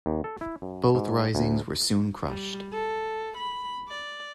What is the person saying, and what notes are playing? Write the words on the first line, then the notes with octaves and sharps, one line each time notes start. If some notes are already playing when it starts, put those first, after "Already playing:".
Both risings were soon crushed.
D#2
A4
E4
F#2
G#2
D2
G3
A4
B5
D5